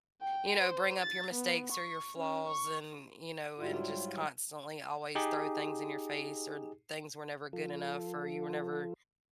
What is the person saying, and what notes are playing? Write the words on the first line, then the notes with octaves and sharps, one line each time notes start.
you know, bring up your mistakes or your flaws and, you know, and just constantly always throw things in your face, or things were never good enough, or you were never
G5
C5
A6
B3
C#6
C#4
C#6
G#2 F#3 G3 E4 F4
D#4 G4 G#4
F3 F4 A4